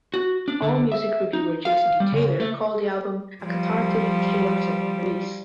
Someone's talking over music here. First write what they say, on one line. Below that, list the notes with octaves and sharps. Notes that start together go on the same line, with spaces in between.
AllMusic reviewer Jason D. Taylor called the album "a cathartic, chaotic release".
F#4
D4
D3
E5
D#4
F5
G3
C#3
A3
F3 G3